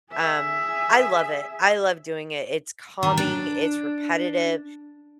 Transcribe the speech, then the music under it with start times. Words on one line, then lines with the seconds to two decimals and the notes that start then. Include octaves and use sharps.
Um, I love it, I love doing it. It's calming, it's repetitive,
0.11 G#4 E5
3.03 D#3
3.18 D4